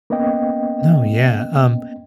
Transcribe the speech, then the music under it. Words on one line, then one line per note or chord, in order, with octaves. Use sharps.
No. Yeah, um,
A#3 B3 C#4 D#5 G5